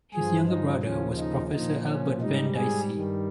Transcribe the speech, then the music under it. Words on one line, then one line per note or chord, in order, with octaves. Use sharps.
His younger brother was Professor Albert Venn Dicey.
G2 F3 G#4
D#4
D#2 C#3 F3 C#4
D#4
A#2 F3 D#4
C#4
G#2 G3 D#4
G#4
G2 D#3 G3